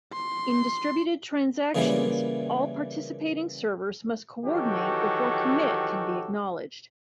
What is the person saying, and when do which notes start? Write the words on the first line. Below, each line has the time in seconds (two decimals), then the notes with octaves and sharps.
In distributed transactions, all participating servers must coordinate before commit can be acknowledged.
0.13 C6
1.75 A#2 C#3 E3 G3 A#3 E4
4.44 D#3 E3 F#3 F#4 G4 A4